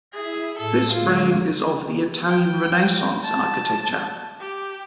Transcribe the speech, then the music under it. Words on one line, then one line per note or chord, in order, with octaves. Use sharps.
This frame is of the Italian Renaissance architecture.
E4 G#4 E5
A2 A4 G#6
D3 G#3 F4 D6
G5
A5
G4